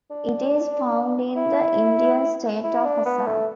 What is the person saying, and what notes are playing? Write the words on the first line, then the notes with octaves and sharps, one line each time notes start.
It is found in the Indian state of Assam.
D4
E4
E4
D4
B3
A3